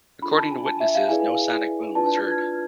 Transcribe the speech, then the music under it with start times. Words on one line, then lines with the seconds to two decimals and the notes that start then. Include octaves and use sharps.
According to witnesses no sonic boom was heard.
0.22 D4 F4 A4 B5
0.37 A5
0.51 G#5
0.65 A5
0.80 E5
0.95 F5
1.09 E4 G#4 B4 D5 G#5
1.95 D4 F4 B4 D5 A5
2.06 A5
2.17 F6
2.28 G#6
2.39 F6